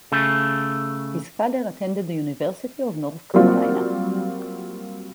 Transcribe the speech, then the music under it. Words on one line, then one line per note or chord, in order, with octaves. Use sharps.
His father attended the University of North Carolina.
C#3 A3
F#3 G3 A#3 C4 F4 F#4